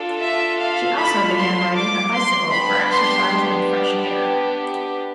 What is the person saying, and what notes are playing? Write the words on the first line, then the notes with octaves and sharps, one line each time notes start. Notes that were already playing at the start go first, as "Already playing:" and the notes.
She also began riding a bicycle for exercise and fresh air.
Already playing: D4 F4 A4
E5
F5
B5
C6
D6
C6
B3 D4 G4 B5
C6